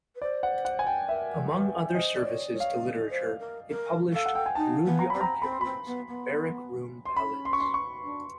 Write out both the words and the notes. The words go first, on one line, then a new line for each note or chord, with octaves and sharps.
Among other services to literature it published Rudyard Kipling's "Barrack-Room Ballads".
B4
C5 D5
F#5
F#5
G#5
G5
A#4 E5
B4
C5 D#5
D5
C#5
C#5
F5
C5
A#4
A#4
A4 F5
F#5
G5
G#5
D#4 A5
B3
A#5
C4 B5
A#5
C4 B5
C6
C4 B5
B3
B3
C6
C#4 B5
C6
C#6
C6
C#6
D4